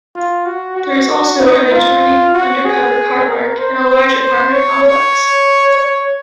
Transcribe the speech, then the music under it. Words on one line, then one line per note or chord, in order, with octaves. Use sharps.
There is also an adjoining undercover carpark and a large apartment complex.
F4
F#4
F#4
D#4
F4
F#4
G#4
A#4
C5
C5
C5
C#5
C#5
C#5